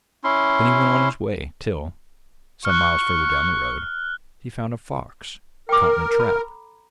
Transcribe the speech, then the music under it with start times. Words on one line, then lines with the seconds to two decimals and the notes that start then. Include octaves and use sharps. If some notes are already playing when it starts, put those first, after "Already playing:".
Then he went on his way till, some miles further down the road, he found a fox caught in a trap.
0.24 C#4 E4 C6
2.65 C#6 F6 F#6
5.69 A#4 G5 D6
6.20 A4 A#5 B5